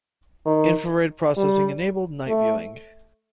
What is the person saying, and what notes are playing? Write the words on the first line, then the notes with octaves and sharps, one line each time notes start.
Infrared processing enabled night viewing.
D#3
G3
A3